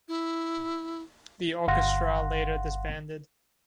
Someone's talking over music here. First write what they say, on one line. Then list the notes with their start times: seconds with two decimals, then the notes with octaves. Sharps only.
The orchestra later disbanded.
0.08 E4
1.68 G1 F5 F#5 C6 A#6